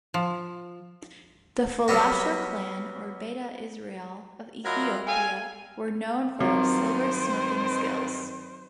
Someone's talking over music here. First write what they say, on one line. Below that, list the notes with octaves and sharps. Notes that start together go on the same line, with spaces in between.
The Falasha Clan, or Beta Israel, of Ethiopia were known for their silversmithing skills.
F3
F#3 G3 B3 F#4
F#3 F4 A#4 D#5 E5 B5
G4 A4 F5 G#5
G2 D#3 F#3 C4 F4 C5